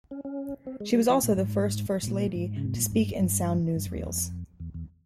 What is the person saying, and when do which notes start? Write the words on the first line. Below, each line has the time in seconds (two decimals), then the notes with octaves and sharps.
She was also the first First Lady to speak in sound newsreels.
0.11 C#4
0.25 C#4
0.67 C4
0.80 G#3
0.95 G3
1.09 F3
1.23 A#2
1.37 G#2
2.03 G#2
2.08 A#2
2.35 G#2
2.56 C#3
2.65 C3
2.74 A#2
2.83 G#2
2.92 G2
3.20 G2
3.76 G2
3.86 F2
3.96 E2
4.06 F2
4.60 E2
4.74 E2